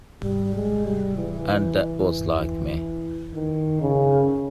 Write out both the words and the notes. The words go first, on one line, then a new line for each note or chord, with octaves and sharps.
And that was like me!
G3
G#3
G3
E3
D#3
C#3